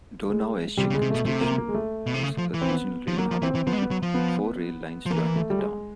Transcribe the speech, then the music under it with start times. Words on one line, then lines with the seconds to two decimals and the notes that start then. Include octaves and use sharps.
Donaueschingen station is a regional rail hub; four rail lines join in the town.
0.30 G#3
0.77 C3 G3
0.90 C#3
0.94 G#3
1.02 C3
1.10 B2 A3
1.25 C3 A3
1.41 A#3
1.58 A#3
1.69 G#3
1.74 A3
2.06 B2
2.14 C3
2.23 C#3
2.38 F3
2.54 E3
2.62 C4
2.70 B3
3.07 F3
3.18 F#3 A#3
3.31 F3
3.42 E3 C4
3.55 E3
3.67 F3 B3
3.73 G#3
3.78 G3
3.82 B3
3.91 F#3
4.02 F3
4.14 B3
5.06 F3
5.11 E3 A#3
5.36 A3
5.50 G3
5.59 G#3